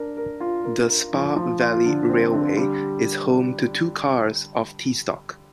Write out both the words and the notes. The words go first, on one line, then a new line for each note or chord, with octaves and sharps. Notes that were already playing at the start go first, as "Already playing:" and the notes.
The Spa Valley Railway is home to two cars of T-Stock.
Already playing: D4 A#4
A#4
F4
A#4
A#4
F3
F3
F4
D3
C4
D3
G3